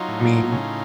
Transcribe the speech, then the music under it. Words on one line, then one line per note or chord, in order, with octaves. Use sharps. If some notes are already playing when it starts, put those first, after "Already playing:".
I mean
Already playing: F#3 D#4 F4
A2
C#3